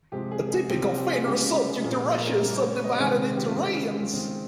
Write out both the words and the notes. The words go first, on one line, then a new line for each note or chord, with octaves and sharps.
A typical federal subject of Russia is subdivided into raions.
C3 F3 G#3 G4
G#4
G#4
C3 F3 C4 G4
F4
G4
G#4
F4
C#3 G#3 C#4 G4
F4
G4
G#4
A#2 F3 A#3 C#4 G#4
A#4
C5
A#4
G#4
C#3 G3 A#3 A#4
C5
C#5
D#5
C3 D#3 G#3 C4 C5
G4
F4
C#3 G#3 C4
F4
D#3 G#3 C4